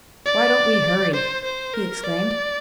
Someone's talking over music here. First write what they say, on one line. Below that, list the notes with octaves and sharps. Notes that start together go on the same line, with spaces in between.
"Why don't we hurry!" he exclaimed.
D5
C5
C5
A#4
D5